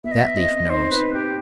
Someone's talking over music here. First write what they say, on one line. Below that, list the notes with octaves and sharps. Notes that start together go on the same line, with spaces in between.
That leaf knows.
B3 E5
D#5
E5
C4 D#5
D#4 C5
D#4 B4
C4 G4